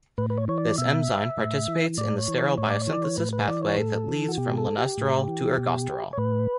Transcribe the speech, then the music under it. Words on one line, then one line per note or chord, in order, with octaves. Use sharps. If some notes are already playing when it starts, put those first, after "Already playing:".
This enzyme participates in the sterol biosynthesis pathway that leads from lanosterol to ergosterol.
A2 B4
B4
C#5
E3 C#5
D5
B2 E5
A2
E3
A2 D5
C#5
E3
C#5
A2 C#5
D5
C#5
E3
D5
C#5
A2 B4
B4
E3 D5
C#5
A2 A4
E3
F#4
B2 G4
A4
G4
A2
E3
B2
C#5
A2 B4